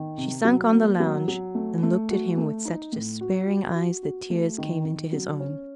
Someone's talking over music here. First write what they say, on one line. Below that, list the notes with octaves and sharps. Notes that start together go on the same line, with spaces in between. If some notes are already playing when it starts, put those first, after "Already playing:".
She sunk on the lounge and looked at him with such despairing eyes that tears came into his own.
Already playing: D#3
C3
F#3
A#3
F#3
F#3
A3
A3
F#4
A3
D#4
A2
F#4
F#4
F#4
F#4
A3
D#3
D#3
F#3
C#4